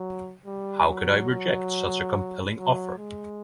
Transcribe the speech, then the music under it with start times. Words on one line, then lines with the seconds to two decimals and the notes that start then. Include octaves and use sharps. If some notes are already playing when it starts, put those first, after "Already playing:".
How could I reject such a compelling offer?
Already playing: F#3
0.46 G3
0.88 F#3
1.30 F#3
2.56 F#3
2.98 G#3